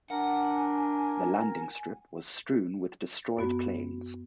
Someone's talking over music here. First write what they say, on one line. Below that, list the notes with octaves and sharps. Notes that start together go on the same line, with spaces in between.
The landing strip was strewn with destroyed planes.
D4 A#4 F#5 G#5
F#2 B3 F#4